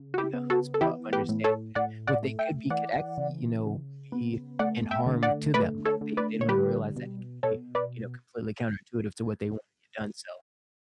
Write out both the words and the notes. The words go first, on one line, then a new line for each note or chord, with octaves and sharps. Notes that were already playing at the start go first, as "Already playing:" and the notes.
in the chutzpah of understanding that what they could be could actually, you know, be in harm to them. Like they they don't even realize that it could be, you know, completely counterintuitive to what they want to get done, so,
Already playing: C#3
F#4
E4 G4
B3
F#4 A4
A4
E3 E4 G4
G4 B4
A2
A4 C#5
A2 D5 F#5
D5 F#5
A3
E5 G5
E3 D5 F#5
C#3
C#3
B3
A3 D5 F#5
E5 G5
D3
D5 F#5
A3 B4 D5
A4 C#5
D3
B4 D5
C#5
G3 G4 B4
B2
B2 A4 C#5
B4 D5